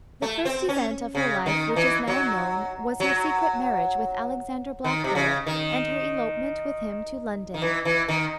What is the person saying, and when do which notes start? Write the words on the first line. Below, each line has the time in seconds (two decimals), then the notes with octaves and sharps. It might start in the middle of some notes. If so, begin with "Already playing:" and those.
The first event of her life which is now known, was her secret marriage with Alexander Blackwell, and her elopement with him to London.
0.22 A3
0.45 C4
0.69 C#4
1.15 C#3
1.46 D#3
1.76 E3
2.07 F#3
3.00 F#3
4.84 D#3
5.04 C3
5.15 C#3
5.46 D#3
7.54 D#3
7.62 E3
7.85 E3
8.09 D#3